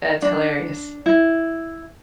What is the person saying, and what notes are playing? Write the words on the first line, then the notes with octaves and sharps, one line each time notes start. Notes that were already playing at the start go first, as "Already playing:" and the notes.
That's hilarious.
D4
E4